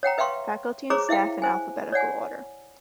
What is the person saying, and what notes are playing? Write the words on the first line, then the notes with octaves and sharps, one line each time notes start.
Faculty and staff in alphabetical order.
C#5 F#5 G5 A#5
B4 E5 F5 G5 C6 C#6
G#4 C5 C#5 A#5 C#6 D6
E4 E5 F5 G5
C5 G#5
C#5 D5 F#5 G#5